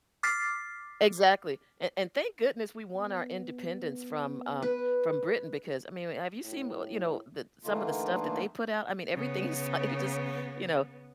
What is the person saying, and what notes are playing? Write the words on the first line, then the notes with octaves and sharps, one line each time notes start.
Exactly, an and thank goodness we won our independence from, um from Britain because, I mean, eh, have you seen, you know, th some of the stuff that they put out? I mean, everything is, like, just you know,
D6 F6 A6 B6 C7
B3
B4
A2
D3 E3 A3 A#3 D#4 F4
C#3 B3